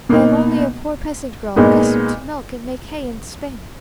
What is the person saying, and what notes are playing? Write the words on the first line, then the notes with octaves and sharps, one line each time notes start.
I am only a poor peasant girl, accustomed to milk, and make hay and spin.'
B2 A#3 D#4
A#2 G#3 B3 D#4